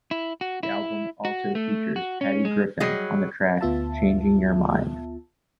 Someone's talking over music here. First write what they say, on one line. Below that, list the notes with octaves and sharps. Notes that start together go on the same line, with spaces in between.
The album also features Patty Griffin on the track "Changing Your Mind".
E4
F#4
E4
F#4
A3
F#4
C#4
G#3
F#3 G3 G#4 D#5
D2 B3 F4 E5 A5